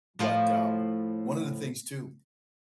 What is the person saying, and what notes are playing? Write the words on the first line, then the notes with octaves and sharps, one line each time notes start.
But um one of the things too
A2 F3 F4